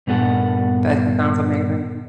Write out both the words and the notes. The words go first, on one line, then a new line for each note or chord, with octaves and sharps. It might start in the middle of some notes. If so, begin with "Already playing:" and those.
that sounds amazing.
G2 A#2 B3 A4 F#5